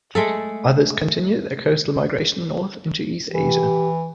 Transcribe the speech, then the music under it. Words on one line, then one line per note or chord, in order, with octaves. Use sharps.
Others continued their coastal migration north into East Asia.
G#3 A3 A4
E3 G4